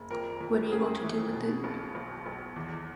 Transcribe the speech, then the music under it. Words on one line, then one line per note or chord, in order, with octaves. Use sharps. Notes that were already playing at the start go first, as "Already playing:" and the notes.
What are you going to do with it?
Already playing: F#1
F2 A#4
F2
C#3 G#4
E3
B2
B1
B1
B1
E2